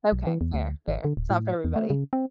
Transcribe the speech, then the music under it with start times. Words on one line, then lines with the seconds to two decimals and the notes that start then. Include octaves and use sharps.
Okay, fair, fair. It's not for everybody.
0.12 B1
0.27 E3
0.41 E2
0.54 D2
0.88 G#1
1.05 D3
1.17 D1
1.30 A2
1.65 E2
1.76 A3
1.90 C#3
2.13 C4